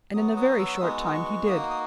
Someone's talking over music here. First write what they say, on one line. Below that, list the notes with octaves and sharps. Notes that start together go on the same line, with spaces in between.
And in a very short time he did.
F#3 B3 F#4 D#6
D#6
E6
G#3 B3 D#4 F#4 D#6
D#6
C#6
A#3 D#4 F#4 D#6
D#6